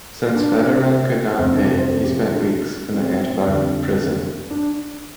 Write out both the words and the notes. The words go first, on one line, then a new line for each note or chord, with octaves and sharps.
Since Federmann could not pay, he spent weeks in an Antwerp prison.
D4
F2 C4
C3
D4
G4
C5
A4
G4
F4
D4
C4
F2 D3
D4